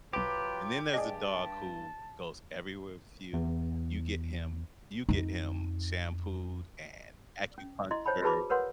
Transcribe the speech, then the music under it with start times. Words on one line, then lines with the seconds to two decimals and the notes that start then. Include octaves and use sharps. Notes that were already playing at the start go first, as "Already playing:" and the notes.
And then there's a dog who goes everywhere with you. You get him you get him shampooed and acupuncture,
0.13 C2 F#3 F4 G4 B4 D6
0.94 G2 G#4 D5 D#5 A5
3.33 E2
5.09 F2 D#4
7.58 C#4
7.91 E4 D#5 C6
8.05 C5 C#5 G5 A5 B5
8.22 F#4 G#4 B4 A5 B5 D6
8.50 A#4 B4 C#5 F#5 C6